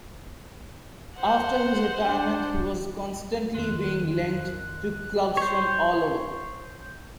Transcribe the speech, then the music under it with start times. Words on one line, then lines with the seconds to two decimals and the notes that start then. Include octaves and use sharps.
After his retirement he was constantly being linked to clubs from all over.
1.16 C5 F#5
2.01 D4
3.54 F2 D#3 C6 F#6
5.37 C5 C#5